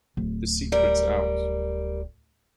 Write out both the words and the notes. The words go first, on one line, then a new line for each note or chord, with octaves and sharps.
The secret's out.
D1
G3 A#4